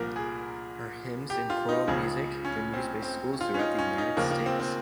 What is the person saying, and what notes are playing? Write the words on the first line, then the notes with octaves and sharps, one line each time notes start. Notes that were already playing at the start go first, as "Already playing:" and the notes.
Her hymns and choral music have been used by schools throughout the United States.
Already playing: C2 A#2 F3 A#4
G#4
G4
F4
D#4
C#2 C#3 F3 G#4
C#4
C4
C4
F4
C#4
D#4
C#4
D#4
D#2 C#3 F3 A#3
A#3
C4
C4